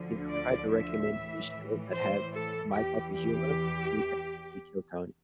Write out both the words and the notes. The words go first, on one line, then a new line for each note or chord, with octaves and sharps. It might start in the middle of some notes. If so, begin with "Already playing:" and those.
you know, if I had to recommend any show that has, like, my type of humor, it would definitely be Kill Tony.
Already playing: D2 D3 F3
D5
E5
A2 E3
C5
A4
E2 G4
E3
G4